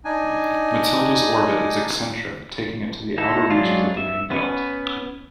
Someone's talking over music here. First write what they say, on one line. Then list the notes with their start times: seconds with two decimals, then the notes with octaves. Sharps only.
Mathilde's orbit is eccentric, taking it to the outer reaches of the main belt.
0.05 D4 D#4 G#5
3.18 D#4 E4 A4
3.50 F#3 G#3 D4 F4
3.97 E5
4.30 B3 C#4 B4